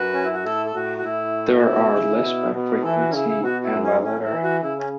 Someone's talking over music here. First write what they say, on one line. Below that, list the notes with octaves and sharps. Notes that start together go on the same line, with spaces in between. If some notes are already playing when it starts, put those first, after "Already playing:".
There are list by frequency and by letter.
Already playing: F#2 F#4 B4
C#4
E4
F#4
A2 E4 A4
A4
A2 F#4
F#4
A2 E4
F#4
B2 E4
C#3
B2
B2
E3 E4 A4
F#4
C#4
C#3 E4
E4
B2 F#4
E4
F#2
C#4
A2 C#4
E4
E3
F#4
C#3 E4
C#4